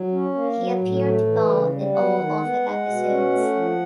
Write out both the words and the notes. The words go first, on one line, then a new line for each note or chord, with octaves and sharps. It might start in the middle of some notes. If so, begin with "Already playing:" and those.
He appeared bald in all other episodes.
Already playing: F#3
C#4
A#3
F#3
A2
A3
E3
C#3
G3
F#3 F#5
D#3
B3
G#3
B2
C#4
A3
F3